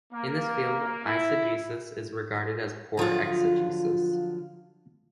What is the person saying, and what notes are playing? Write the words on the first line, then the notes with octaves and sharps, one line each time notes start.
In this field, eisegesis is regarded as poor exegesis.
A#3
E4
D3 F3 F#3 F4